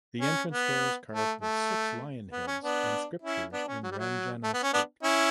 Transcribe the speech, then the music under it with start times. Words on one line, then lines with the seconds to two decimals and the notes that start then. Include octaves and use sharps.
The entrance door is carved with six lion heads and scriptures in Ranjana script.
0.21 C#4
0.52 B3
1.12 A3
1.42 A3
2.32 B3
2.47 C#4
2.62 B3 D4
3.22 C#4 E4
3.52 B3 D4
3.68 C#4
3.83 F#3
3.91 G3
3.98 F#3
4.43 A3
4.53 B3
4.63 C#4
4.74 B3 D4
5.03 C#4 E4